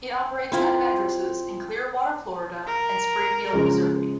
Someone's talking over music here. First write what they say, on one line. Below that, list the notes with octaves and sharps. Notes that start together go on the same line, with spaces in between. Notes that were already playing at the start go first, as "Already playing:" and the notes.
It operates out of addresses in Clearwater, Florida, and Springfield, Missouri.
C4 E4 F4
A#4
C#3 F3 G#3